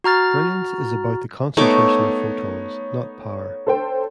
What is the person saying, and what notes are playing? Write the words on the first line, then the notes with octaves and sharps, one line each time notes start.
Brilliance is about the concentration of photons, not power.
F#4 A#5 F6 A6
A3 B3 D#4 C#5 D6
A4 C5 G5